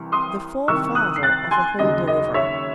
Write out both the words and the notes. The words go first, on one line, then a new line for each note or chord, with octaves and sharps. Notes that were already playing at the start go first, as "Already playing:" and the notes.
The forefather of a hold-over.
Already playing: C2 C3 E3
C6 D#6
C2 C3 D#3 C#6 E6
D#6 F#6
C7
F#6 A6
G#5 C6
D#2 C#3 F#3 D#5
D#5
C#5 E5